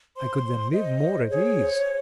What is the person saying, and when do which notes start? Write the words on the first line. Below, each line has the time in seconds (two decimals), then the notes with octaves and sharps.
I could then live more at ease.
0.16 C5 C6
0.45 C5
0.72 C5 D#5
1.01 C5
1.30 G#4 C#5
1.58 C5